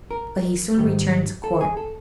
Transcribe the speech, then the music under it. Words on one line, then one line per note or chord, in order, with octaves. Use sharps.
But he soon returned to court.
A#4
G#2 D#3 G3
A4
G#4
A4